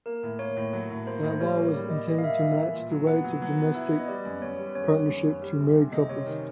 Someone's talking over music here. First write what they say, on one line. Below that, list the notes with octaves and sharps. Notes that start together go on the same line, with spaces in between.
That law was intended to match the rights of domestic partnerships to married couples.
A#3 A#4
A2
A#3 C#5
A2
F#3
A2
A#3 C5
A2
G3 C#5
A#3
G3 D5
G3 D#5
G3 D#5
F5
A#3 E5
E3
E3
A#2
F#3
B3 F#5
F#3
F#3
B3
E4
B3
D#5
G3 D5
F#2
F#2 C#5
G3
F#2 C#5
D#3
F#2
F#2
G3
C3
C3
C3 D#5
C3 C#5
D#3